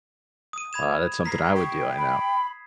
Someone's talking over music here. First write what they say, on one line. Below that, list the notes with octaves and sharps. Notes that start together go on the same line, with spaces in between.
Uh, that's something I would do, I know.
D#6 D#7
B5 G#6 E7
A#5 B6 C7
G5 C#6
B5